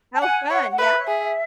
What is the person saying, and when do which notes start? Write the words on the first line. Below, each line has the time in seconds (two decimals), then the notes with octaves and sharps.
How fun, yeah.
0.14 A5
0.21 F#5 G#5
0.50 C#5 F#5
0.70 F#5
0.78 B4 E5
1.07 G#4